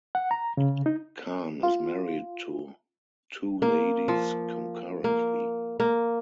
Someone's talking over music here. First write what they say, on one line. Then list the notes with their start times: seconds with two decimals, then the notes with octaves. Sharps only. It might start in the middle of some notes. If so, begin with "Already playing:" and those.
Khan is married to two ladies concurrently.
0.15 F#5
0.31 A#5
0.57 C#3
0.86 D#4
1.63 F4
3.62 A#3
4.08 F3
5.04 A#3
5.80 A#3